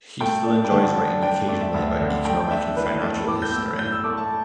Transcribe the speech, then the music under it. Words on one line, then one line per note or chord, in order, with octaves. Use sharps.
He still enjoys writing occasionally about economic and financial history.
A3 G5
D4
G5
D3 A5
D4 A5
D4 G5
A3 D5
E5
D2 E5
D3
A3 G5
G5
D4 E5
E3 B4
A3 D5
A2 D6
G6
A2 E6
A2 G6
E6
A3 D6
A5